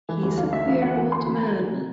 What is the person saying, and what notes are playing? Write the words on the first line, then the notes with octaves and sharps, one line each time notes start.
He's a queer old man.
E3
D2
D2 F5
D2 E5
E3 F5
D2 F#5
E3 G#5
D2 C6
E3 B5
D2 A#5
D#3
C3